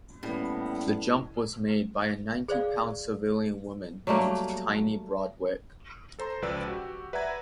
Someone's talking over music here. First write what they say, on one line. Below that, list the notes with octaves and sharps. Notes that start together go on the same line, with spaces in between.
The jump was made by a ninety-pound civilian woman named Tiny Broadwick.
A2 G3 A#3 B3 C#4 E4
G#4 C5 D5 F5
F#3 G3 A3 A#3
A4 C5 A#5 C6
C#2 F3 B4 D5 E6
F#4 G4
B4 D5 E5 F#5 A#5 G#6